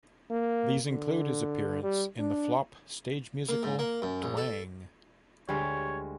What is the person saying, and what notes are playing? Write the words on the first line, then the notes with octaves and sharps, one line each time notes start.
These included his appearance in the flop stage musical Twang!
A#3
D3
G3
D4
A#3
G#2
A#3
F#2
A#1
A4
D2 G3 G#3 C#5 F6